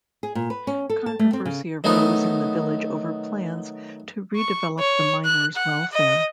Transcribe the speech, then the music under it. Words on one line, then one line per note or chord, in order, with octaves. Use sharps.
Controversy arose in the village over plans to redevelop the Miners' Welfare.
G#4
A#2
B4
C#4
A4
A5
A3
C4
C#3
D#3 F#3 A3 B3 D#4
C#6
C#5
F#6
F#5
D#5